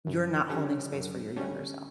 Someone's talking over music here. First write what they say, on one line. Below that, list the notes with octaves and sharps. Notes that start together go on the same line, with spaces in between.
You're not holding space for your younger self."
F#2
D3 G3 C#4
F#2
D3 G3 C#4